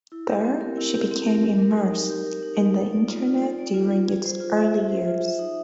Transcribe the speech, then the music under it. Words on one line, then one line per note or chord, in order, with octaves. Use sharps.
There she became immersed in the internet during its early years.
E4
G4
C4
A#4
E4
G4
C4
A#4
G4
A#4
D#4
D#4
G4
A#4
D#4
D#4
A4
D5
F4
F4
A4
D5
F4
F4
G#4
C5
F4
E5
G#4
C5
F4
E5
D#4